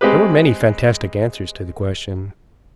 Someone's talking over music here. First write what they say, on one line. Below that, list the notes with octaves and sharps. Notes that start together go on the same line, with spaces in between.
There were many fantastic answers to the question.
G#3 C4 G4 B4